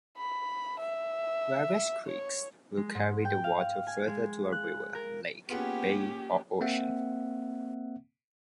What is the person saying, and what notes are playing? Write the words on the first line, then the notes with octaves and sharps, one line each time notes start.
Various creeks will carry the water further to a river, lake, bay, or ocean.
B5
E5
C#5
G#3
G#2
G5
F5
G#5
G#3
F#6
A#4
A#3 B3 C#4 F4 G4 G#4 F#5
A#3 C4 E5 F#5